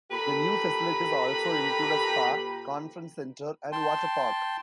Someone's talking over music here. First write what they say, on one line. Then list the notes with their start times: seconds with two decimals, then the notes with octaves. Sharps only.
The new facilities also include a spa, conference center and water park.
0.11 A#2 G4 A4 B4 A#5 B5
3.72 G5 A5 C6